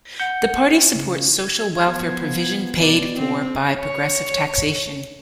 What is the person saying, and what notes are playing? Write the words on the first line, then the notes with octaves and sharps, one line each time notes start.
The party supports social welfare provision paid for by progressive taxation.
F#5 G6
C#3
G#6
F3 B3
B2 D5
C4
C#5